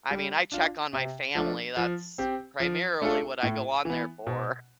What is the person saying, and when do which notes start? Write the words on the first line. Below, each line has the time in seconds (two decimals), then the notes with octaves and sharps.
I mean, I check on my family that's primarily what I go on there for.
0.11 G3
0.52 D4 F4
0.93 C3
1.35 F3 A3 D4
1.77 F3
2.18 C4 G4
2.60 F3
3.02 A3 D4 F4 A4
3.43 A2
3.85 E3 B3
4.27 B2